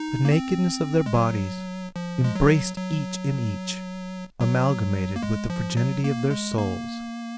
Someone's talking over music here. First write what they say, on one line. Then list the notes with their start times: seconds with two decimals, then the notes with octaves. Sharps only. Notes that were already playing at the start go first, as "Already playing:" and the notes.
The nakedness of their bodies, embraced each in each, amalgamated with the virginity of their souls.
Already playing: D#4
0.25 A#3
0.32 C4
1.06 G#3
1.14 F#3
1.96 F3
2.24 G#3
2.35 F#3
2.77 F#3
4.41 F#3
5.16 A#3
5.23 G#3
5.50 F3
5.77 F#3
6.04 A#3
6.31 G#3
6.58 A#3